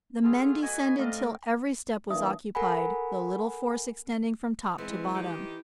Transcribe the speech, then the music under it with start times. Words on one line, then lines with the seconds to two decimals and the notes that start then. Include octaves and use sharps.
The men descended till every step was occupied, the little force extending from top to bottom.
0.24 A3 B3 F4 G#4
0.62 F#4 B4 D#5 G#5
0.98 A3 C4 A#4 D5 D#5 F5
2.10 E3 A#3 D4 D#4 E5 D#6
2.55 A4 A#4 F#5 G#5 B5
4.78 E3 G#3 B3 C4
5.15 D#3 D#4 G4